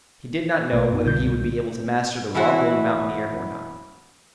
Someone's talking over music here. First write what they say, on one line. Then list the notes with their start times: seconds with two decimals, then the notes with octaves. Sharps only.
He did not know whether he would be able to master the raw-boned mountaineer or not.
0.73 A#1 B2 A3 B4
0.91 F#2 B3 D#4
1.04 C2 B2 D3 G6
2.34 B2 E3 E4 F#4